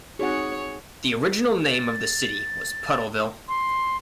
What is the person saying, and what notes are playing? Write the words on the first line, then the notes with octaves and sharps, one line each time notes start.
The original name of the city was Puddleville.
C4 D#4 F#4 G#4 C#5 F#5
A6
C6